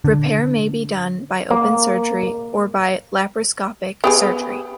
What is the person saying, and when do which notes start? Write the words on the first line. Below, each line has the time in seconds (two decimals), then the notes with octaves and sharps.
Repair may be done by open surgery or by laparoscopic surgery.
0.05 D3
1.51 A#3
4.04 B3 G4 G#4